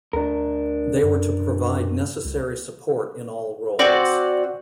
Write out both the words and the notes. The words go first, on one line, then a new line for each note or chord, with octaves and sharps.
They were to provide necessary support in all roles.
D2 D4 A#4
F#2
C#2
C4 F#4 D5